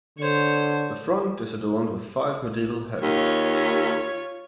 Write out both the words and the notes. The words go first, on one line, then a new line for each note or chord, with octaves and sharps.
The front is adorned with five medieval heads.
D3 C5 C#5
D#2 F4 C#5